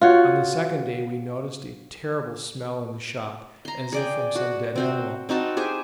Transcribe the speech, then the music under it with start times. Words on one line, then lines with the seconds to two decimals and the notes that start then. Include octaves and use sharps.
On the second day we noticed a terrible smell in the shop, as if from some dead animal.
0.01 F4 F#4 C#5
3.65 A#5 C6
3.92 G#4 D5 G5
4.35 F#4
4.76 C4 F#4 C5
5.29 C4 D#4 F#4 A5
5.57 G4 G#4 C5 G#5